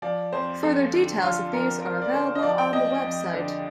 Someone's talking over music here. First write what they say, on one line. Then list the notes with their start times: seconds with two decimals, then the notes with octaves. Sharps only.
Further details of these are available on the website.
0.02 F3 D5
0.33 F2 C5
0.63 F2 A4
0.93 D3
1.23 F3 F4
1.53 F2 A#4
1.82 F2 A#4
2.02 D5
2.13 D3 C5
2.35 D#5
2.43 F3 D5
2.58 G5
2.73 F2 D#5
3.03 F2
3.33 D3